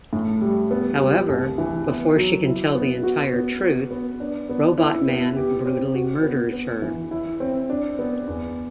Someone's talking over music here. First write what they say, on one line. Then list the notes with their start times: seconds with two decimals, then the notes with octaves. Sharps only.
However, before she can tell the entire truth, Robotman brutally murders her.
0.13 A2
0.42 G3
0.71 B3
1.00 G3
1.29 C2
1.58 E3
1.87 B3
2.16 F#3
2.46 E4
2.75 B3
3.03 F#4
3.33 B3
3.62 F#4
3.91 B3
4.20 D4
4.49 B3
4.78 E4
5.08 B3
5.36 G4
5.66 C4
5.95 F#4
6.23 B3
6.52 B3
6.82 E3
7.11 E4
7.40 C4
7.69 D4
7.99 B3
8.27 E2